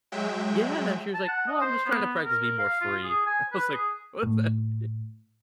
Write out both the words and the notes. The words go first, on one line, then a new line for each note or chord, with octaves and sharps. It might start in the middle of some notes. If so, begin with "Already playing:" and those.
Yeah, and she was like, "Well, I'm just trying to practice being more free." I was like, "What's that mean?"
F#3 G#3 E5 G5
A5
F#5
D#5
C5
B3
A#4
F5
F4
G#4
G#5
B4
G#4
A2